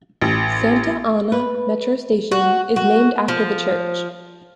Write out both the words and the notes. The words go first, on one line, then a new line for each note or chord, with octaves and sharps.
Santa Ana metro station is named after the church.
A1
B4
F#4
F#4
F3